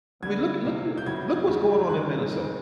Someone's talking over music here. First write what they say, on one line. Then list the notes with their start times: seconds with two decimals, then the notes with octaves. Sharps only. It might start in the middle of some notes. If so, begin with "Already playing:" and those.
I mean, look look who Look what's going on in Minnesota,
0.22 D3 G3 B3 D4 G#6
0.65 C3 F3 A#3
0.98 G6
1.06 F#2 C#3 F#3 B3 E4 G#6
1.48 F2 C#3 F#3 A3
1.89 G2 D#3 G#3 C#4 F4 F#6
2.31 C#3 E3 G#3 C4 D#4